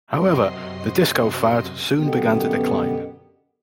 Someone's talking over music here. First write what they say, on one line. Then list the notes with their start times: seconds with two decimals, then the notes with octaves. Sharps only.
However, the disco fad soon began to decline.
0.11 F#2 C3 F#3 D#5 C6 C7
1.97 F#2 B2 D3 B3 G4